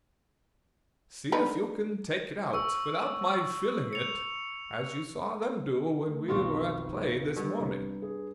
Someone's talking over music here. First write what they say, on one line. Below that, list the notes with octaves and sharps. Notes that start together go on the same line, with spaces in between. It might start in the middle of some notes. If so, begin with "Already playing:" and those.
'See if you can take it out, without my feeling it; as you saw them do, when we were at play this morning.'
D3 D#4 B4
C#6 E6
C#7 F7
A3
B1 F2 D#3 B3 F4 F#4
G2 F#5
C2
G#4